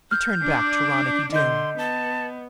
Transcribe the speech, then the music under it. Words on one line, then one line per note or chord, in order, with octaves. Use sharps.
He turned back to Ronicky Doone.
F6 G6
D4 D5
D3 D#5 C6 G6
B3 A5